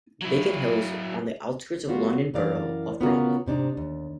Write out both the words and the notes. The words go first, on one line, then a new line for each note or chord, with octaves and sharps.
Biggin Hill is on the outskirts of the London Borough of Bromley.
F#3 E4
G3 B3 F4 F#4
F#2 E3 A#4 D5 F5
C#3 B3 C#4 F4 F#4 A#4
G#2 C3 D4 D#4
D#2